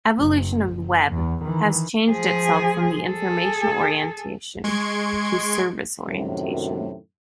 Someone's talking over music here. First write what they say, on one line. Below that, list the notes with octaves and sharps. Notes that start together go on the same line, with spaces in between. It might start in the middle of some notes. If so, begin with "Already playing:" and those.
Evolution of Web has changed itself from the information orientation to Service orientation.
F#1
F#1
E2
D#3 E3
F3 G#4
G#4 A4
G#3 C6 C#6 G#6 D7
F#2 A2 C3 D#3 F#3